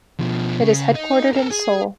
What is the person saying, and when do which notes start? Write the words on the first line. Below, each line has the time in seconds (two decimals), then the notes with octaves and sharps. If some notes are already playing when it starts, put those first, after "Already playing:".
It is headquartered in Seoul.
0.19 B2 F3
0.62 C#3
0.95 D#4
1.33 A4 A#4
1.50 G#4